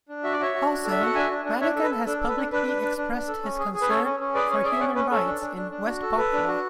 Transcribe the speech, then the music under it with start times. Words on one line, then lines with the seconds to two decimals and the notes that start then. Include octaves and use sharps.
Also, Madigan has publicly expressed his concern for human rights in West Papua.
0.09 D4
0.24 F#4 E5
0.33 D5
0.39 F#4 C#5 E5
0.54 F#4
0.69 D4
0.85 A4
0.91 E5
1.00 F#4 F#5
1.15 D4 E5 G#5
1.30 D4
1.45 D4
1.60 D4 C#5 E5
1.76 A4
1.84 B4
1.91 A4
2.06 D4 A4
2.21 A4
2.29 B4
2.37 D4
2.52 D4 B4
2.67 D4
2.82 D4
2.97 D4
3.13 D4
3.28 A4
3.43 C#4
3.59 G#4
3.74 G#4
3.81 B4
3.89 C#4 A4 C#5
4.04 C#4
4.20 C#4
4.34 G#4 B4 D5
4.50 C#4 C#5
4.64 G#4 D5
4.72 E5
4.80 C#4 D5 F#5
4.95 C#4 B4
5.11 C#4 A4
5.26 D4
5.41 D4
5.56 D4
5.71 D4
5.87 F#4
6.02 A4
6.17 A4 B4
6.33 D4
6.48 F#4